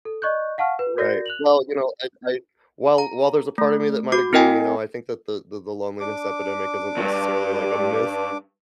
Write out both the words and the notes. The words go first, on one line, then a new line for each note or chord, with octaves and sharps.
Right. Well, you know, I I while while there's a part of me that might agree, you know, I think that the the the loneliness epidemic isn't necessarily, like, a myth.
A4
D5 D#5 C#6 F#6 G6
F5 F#5 A5 C#6 F6
B4
F#4 A#4 D5 G6 A#6
F#6 F7 F#7
A#5
A3
F#4 D6
C4 E4 A#4 D#5 G5 G#5
D4 D6
D2 G2